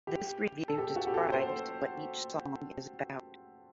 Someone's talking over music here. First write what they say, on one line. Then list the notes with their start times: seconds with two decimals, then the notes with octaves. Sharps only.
This review describes what each song is about.
0.07 G4
0.68 A4
0.78 G4
0.96 F#4
1.07 G4
1.14 A4
1.32 C5